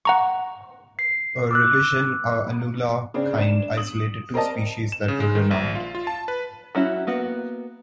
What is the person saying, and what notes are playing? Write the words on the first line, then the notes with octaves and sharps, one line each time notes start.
A revision a Inula kind isolated two species that were renowned.
F#5 A#5 C#6
C7
D6 E6 F#6
C#3 C4 D4
D4 E7
D#6 F#7
C4 A#4 D5 D#5 A5
E7
C#3
G#3
D#3
A#1
F4
F4
A5
B4
F#3 C#4 E4 F#4
A#3 B3 F#4